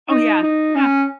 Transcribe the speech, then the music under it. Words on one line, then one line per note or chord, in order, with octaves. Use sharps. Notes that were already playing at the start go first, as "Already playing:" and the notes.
Oh yeah, yeah.
D#4
D#4
C#4